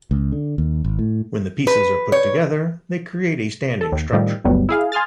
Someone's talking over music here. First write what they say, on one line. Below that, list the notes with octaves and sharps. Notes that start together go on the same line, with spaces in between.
When the pieces are put together, they create a standing structure.
C#2
D3
D#2
G#1
A2
B4
C#5
A4
D#2
A2 D#3 F3 G3
G1 D2 F#3 G3 B3
E4 G#4 F5
G#5 C6 D#6 F6 A6